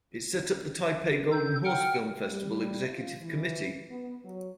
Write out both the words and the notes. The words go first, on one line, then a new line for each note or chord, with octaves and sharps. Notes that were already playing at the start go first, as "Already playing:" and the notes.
It set up the Taipei Golden Horse Film Festival Executive Committee.
A4 G6
F#5 G5 F6
G3
F4
E3
B3
F#3